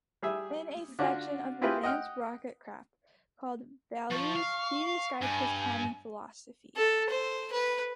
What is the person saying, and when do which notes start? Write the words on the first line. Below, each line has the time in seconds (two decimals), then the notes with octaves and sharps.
In a section of "Advanced Rockcraft" called "Values", he described his climbing philosophy.
0.23 G3 G#4 E5
0.99 D3 D4 F4 F#4
1.62 C4 E4 F4 G4 G#4 B4
1.83 D#5 F#5 G5 F6
4.11 F3 C#6
4.35 F5
5.21 G2 G#5
6.76 A4
7.09 C5
7.52 B4